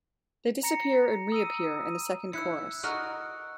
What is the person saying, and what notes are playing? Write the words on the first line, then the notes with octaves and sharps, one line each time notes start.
They disappear and reappear in the second chorus.
A#5 A#6 C#7
D#6 E6 D#7
E4 E6 F#6 C#7
F#4 A#4 D#5 F#6